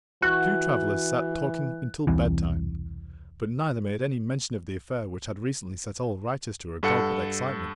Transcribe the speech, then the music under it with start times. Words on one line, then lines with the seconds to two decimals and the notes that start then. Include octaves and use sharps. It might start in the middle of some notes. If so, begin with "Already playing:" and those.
The two travellers sat talking until bedtime--but neither made any mention of the affair which had recently set all Wrychester agog with excitement.
0.22 E3 F#4 F#6
2.07 E1 C2 C3 E3
6.83 G2 A4 F#5 C#7